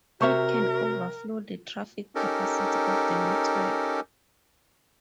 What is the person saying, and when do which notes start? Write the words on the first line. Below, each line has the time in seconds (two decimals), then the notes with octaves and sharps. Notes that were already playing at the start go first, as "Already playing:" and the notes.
It can overflow the traffic capacity of the network.
0.21 C3 F#4 A#4 C5 C#5 E5 C#6
2.15 C#4 D#4 G4 A4 A#4